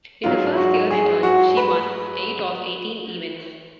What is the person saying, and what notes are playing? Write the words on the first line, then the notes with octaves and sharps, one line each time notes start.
In her first-year return, she won eight of eighteen events.
G#2 F#3 F4
F#4
G#4
F#4
B4